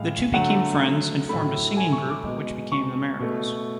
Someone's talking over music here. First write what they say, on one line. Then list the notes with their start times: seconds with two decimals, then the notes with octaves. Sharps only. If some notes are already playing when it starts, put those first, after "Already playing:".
The two became friends, and formed a singing group, which became the Miracles.
Already playing: A2 G#3 F5
0.34 D3 F#3 A3 F#5
1.29 A2 F#3 A3 B5
1.77 G#5
1.92 C#6
2.09 D6
2.24 B2 G#3
2.72 C#6
3.20 B2 A3